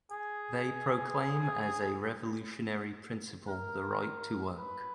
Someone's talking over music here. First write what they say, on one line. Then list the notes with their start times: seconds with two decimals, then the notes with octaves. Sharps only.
They proclaim as a revolutionary principle the Right to Work.
0.11 G#4
3.48 A#4
4.59 B4